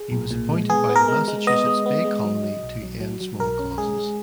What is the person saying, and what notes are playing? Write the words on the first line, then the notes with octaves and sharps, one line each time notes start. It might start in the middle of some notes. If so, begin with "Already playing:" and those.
He was appointed by the Massachusetts Bay Colony to end small causes.
Already playing: G#4
B1
A#2
G#3
B3 G#4
B3
A#4
G#3
G#3
B3 D#5
G#3
B3
G#3
F#3
F#3
B1
F#3
F#3
F#3
B1 A#4
C#4
G#3 G#4
G#3